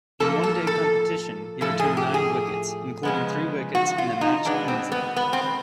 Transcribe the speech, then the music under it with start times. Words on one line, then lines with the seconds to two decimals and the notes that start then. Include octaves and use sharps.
In one-day competition, he returned nine wickets, including three wickets in a match Queensland.
0.20 A2 F3 A#3 A4
0.44 A4
0.67 A4
1.61 A2 F3 A3 A4
1.80 G#4
1.97 G4
2.14 G#4
3.03 C#3 F3 G#3 B3
3.75 F#4
3.98 F4
4.21 D#4
4.45 B2 G#3 B3 D4
4.68 C4
4.92 B3
5.16 B3
5.33 C4